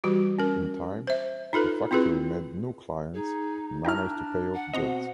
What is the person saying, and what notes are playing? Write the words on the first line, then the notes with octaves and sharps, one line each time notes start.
In time, the factory made new clients and managed to pay off debts.
E3 G3 F#4 G4
C#4 A#4
C5 E5
D#4 F4 A4 B4
C4 E4 F4 G#4 B4
D#4 G#4
D4 E4 A#4 G5 A#5 F6
F#5
B2 C4 D#5 A#5 C6